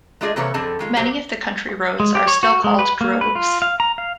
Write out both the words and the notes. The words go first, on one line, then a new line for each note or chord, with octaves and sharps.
Many of the country roads are still called droves.
G#3 A3 D4 F4 G#4 D#5
C3 E3 A#3 A4 B4 C#5
F2 D3 C4 G#4 A4 A5
D#3 G#3 F4
B2 F#3 A#3 G4 C5
G#3
G4
C#5
F#4
G#3
B4
A#3
B4
F4
F5
A#5
F5